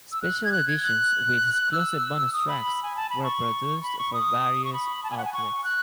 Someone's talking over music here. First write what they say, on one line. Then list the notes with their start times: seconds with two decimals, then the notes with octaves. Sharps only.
Special editions with exclusive bonus tracks were produced for various outlets.
0.12 E6
0.22 F#6
0.44 G#6
0.52 F#6
0.68 G#6
0.82 F#6
1.72 E6
2.33 D#6
2.48 B5
2.83 G#5
2.96 A5
3.10 B5
3.23 C#6
3.83 B5
3.99 C#6
4.14 D#6
4.65 C#6
4.73 B5
5.03 A5
5.11 G#5
5.18 F#5
5.25 G#5
5.33 C#6
5.64 F#6